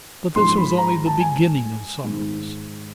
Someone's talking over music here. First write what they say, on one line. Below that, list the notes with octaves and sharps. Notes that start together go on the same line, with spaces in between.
But this was only the beginning of sorrows.
G#2 F3 G#3 C6
B5
A#5
A5
G#5
G#2 D#3 G#3